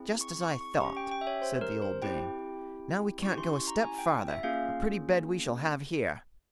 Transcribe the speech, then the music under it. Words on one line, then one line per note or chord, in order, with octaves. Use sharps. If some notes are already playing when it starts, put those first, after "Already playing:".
'Just as I thought!' said the old dame; 'now we can't go a step farther; a pretty bed we shall have here!'
Already playing: C4 E4 G#4
C#6
C#6
C#6
C#4 G4 C#6
G5
G5
E5
C#5
C5
A#4
C5
C4 E4 G4 G5
C#4 E4 G4 C#6
C6
C#6
A#5
G#5
G5
E5
A#3 C#4 F4 G#4 F5